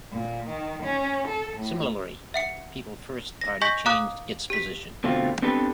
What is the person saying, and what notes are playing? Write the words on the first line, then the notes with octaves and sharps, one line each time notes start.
Similarly, the People First Party changed its position.
A#2
D#3
C#4
A4
A2
E5 F#5 C#7
A#6
D#5 G#5 C#6 G6 A#6 B6
F5 A#5 D6 D#6 F#6
G4 B6
B2 D3 A3 C4 F4
B3 C4 D4 G4 A4 B4